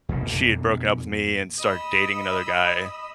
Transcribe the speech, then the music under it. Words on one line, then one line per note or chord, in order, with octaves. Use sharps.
she had broken up with me, and started dating another guy,
F2 B2 A#3
D#5 B5 E6